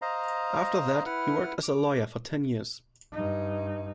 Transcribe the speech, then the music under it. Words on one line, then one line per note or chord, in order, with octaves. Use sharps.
After that, he worked as a lawyer for ten years.
C5 D#5 F5 A#5
E4 B4 F#5 F6
D6
G2 D#4